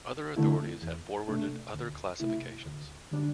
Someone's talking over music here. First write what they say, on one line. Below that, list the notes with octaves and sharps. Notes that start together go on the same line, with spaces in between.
Other authorities have forwarded other classifications.
D3 A3 E4
E2
C3 A3 D4
D2
C3 A3 E4
D2
D3 G3 D4